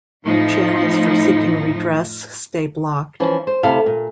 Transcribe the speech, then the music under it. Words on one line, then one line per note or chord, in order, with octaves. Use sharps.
Channels for seeking redress stay blocked.
F2 A2 F3 D#4
E3 F3 C#4
C5
D2 C3 E4 A4 F5
A#2